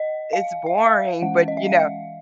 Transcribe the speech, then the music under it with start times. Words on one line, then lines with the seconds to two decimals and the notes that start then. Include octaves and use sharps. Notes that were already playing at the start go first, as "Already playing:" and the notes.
it's boring, but, you know
Already playing: D#5
0.33 F5
0.66 E5
0.78 F5
1.22 E3 G#3 C#4 F#5
1.48 D#5
1.57 E5
1.67 F5